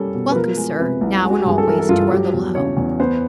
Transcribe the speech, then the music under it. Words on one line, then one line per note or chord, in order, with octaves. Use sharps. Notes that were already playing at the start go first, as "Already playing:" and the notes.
Welcome, sir, now and always, to our little home.
Already playing: G3 A#3 C#4 A4
B2
B4
F3 A#4
G#3
C3 B4
C2
G#3
F#4
G4
G2 G#4
A4
E3 A#4
A4
G2 F4
F#3 G4
E2
C#3 C#5
E2
B3 C5